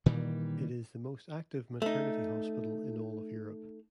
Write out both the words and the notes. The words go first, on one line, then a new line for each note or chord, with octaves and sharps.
It is the most active maternity hospital in all of Europe.
A#2 D#3 E3 G3
A3 D#4